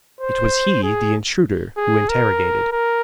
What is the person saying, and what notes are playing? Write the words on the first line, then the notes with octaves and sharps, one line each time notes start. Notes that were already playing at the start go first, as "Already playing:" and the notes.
It was he, the intruder, who interrogated.
C5
G#4
G#4
A#4
A#4